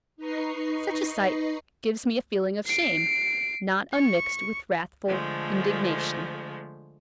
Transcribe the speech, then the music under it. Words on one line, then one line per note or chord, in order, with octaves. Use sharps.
Such a sight gives me a feeling of shame, not unmixed with wrathful indignation.
D#4 B4 D#5 A#5 C#6 C7
C7 D7
C#6
D3 F3 G#3 A3